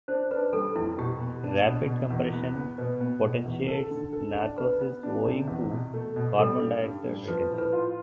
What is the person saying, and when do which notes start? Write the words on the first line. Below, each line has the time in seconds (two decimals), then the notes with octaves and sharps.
Rapid compression potentiates narcosis owing to carbon dioxide retention.
0.08 D4 C5
0.31 D4 B4
0.53 G3 A4
0.76 F2 E4
0.98 B2 G4
1.20 B3
1.43 D4
1.66 B2
1.88 B2
2.11 E2
2.33 B3
2.56 B3
2.78 B2 B4
3.01 B3
3.23 B2
3.46 E2
3.68 A4
3.90 D3
4.13 A4
4.36 D4
4.58 B3 B4
4.81 B3
5.03 D4
5.25 C3
5.48 E2
5.71 B2
5.94 A3
6.16 B2
6.38 G3 A4
6.60 G2
6.83 G2
7.06 G3
7.28 F3 B4
7.50 A2
7.58 B4
7.73 F4